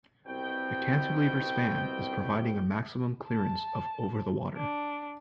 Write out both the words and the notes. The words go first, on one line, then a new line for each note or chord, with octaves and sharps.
The cantilever span is providing a maximum clearance of over the water.
C2 B2 C4 G5
A5
D4